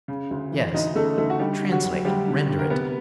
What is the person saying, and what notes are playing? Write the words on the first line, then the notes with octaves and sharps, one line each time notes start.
"Yes, translate, render it."
C#3
D2
E3
D2 D#4 D#5
C#3 A3 A4
D2 A3 A4
F#4
D3 G3 G4
D3
F#3 F#4
D2
D2 G3 G4
D3
D3
A#4
C3 B3 B4